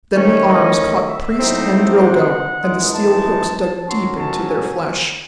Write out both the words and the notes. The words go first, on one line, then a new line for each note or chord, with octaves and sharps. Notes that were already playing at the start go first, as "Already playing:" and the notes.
Then the arms caught priest and Drilgo, and the steel hooks dug deep into their flesh.
D#3 A3 C#4 C#5
D#5
D#5
E5
A2 F#3 C4 D#4
F#5
F#2 E3 G#3 D#4
A5
A5
G#2 D#3 F#3 C#4 C6
A5
G#5